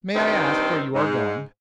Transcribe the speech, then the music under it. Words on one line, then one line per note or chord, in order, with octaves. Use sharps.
May I ask where you are going?'
G2 D#3 C4 D#4
G#2